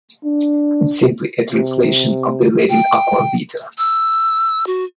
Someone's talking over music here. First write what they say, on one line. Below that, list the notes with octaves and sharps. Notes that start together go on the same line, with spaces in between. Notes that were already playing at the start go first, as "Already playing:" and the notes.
It is simply a translation of the Latin "aqua vitae".
D4
C3
G5
E6
F#4